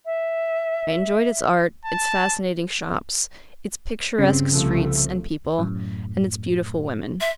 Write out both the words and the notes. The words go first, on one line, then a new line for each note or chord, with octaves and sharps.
I enjoyed its art, its fascinating shops, its picturesque streets and people, and its beautiful women.
E5
A5
G1 C#3 C4
C2 F3 A3
F#2 A2
E5 C6